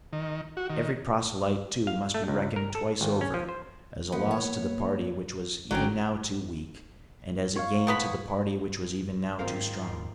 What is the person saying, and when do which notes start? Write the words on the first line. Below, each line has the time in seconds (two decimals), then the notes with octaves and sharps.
Every proselyte too must be reckoned twice over, as a loss to the party which was even now too weak, and as a gain to the party which was even now too strong.
0.13 D#3
0.57 F#4
0.70 D#3
1.87 F5
2.14 A3
2.28 C#2
2.56 A#4
2.75 A4
3.01 G#1
3.21 C#4
3.34 F3
3.49 C5
4.12 F3 A#3 B3
4.31 C#5
5.71 G#1 D3 F#3 C#4 D4 A#4 G5
7.56 C#5 F5
7.87 F3 B3 B5
9.39 G#2 D#3 C4 F4 A#4 F5